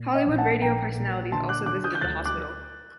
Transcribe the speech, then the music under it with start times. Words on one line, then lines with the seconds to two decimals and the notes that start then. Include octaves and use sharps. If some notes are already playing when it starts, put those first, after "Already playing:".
Hollywood Radio personalities also visited the hospital.
Already playing: A#2
0.15 D#5 G5
0.26 A#1
0.38 F#5 A5
0.62 A#1 G5 A#5
0.97 A#2
1.32 D3 A5 C6
1.49 D6 F#6
1.66 D3 D6 F#6
1.84 D#6 G6
1.95 G6
2.01 D2 F#6 A6
2.25 D6 F#6